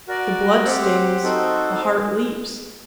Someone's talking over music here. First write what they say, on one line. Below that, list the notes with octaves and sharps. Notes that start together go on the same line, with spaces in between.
The blood stings. The heart leaps.
F#4 A#4 D5
C4 G4 C5 F#5
C4 D#4 F#4 A4 C5